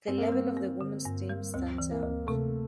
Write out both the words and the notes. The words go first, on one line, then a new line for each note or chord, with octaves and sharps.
The level of the women’s teams stands out.
G2 C4
A#3
G3 C4
A#3
D3
G2
G3
D2 C4
E3
A#3
D2
C3 A3